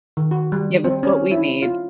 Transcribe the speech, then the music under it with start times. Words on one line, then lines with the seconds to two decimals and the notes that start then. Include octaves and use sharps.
give us what we need.
0.17 D#3
0.31 F#4
0.52 G3
0.84 C4
1.03 C#4
1.31 E4
1.62 F4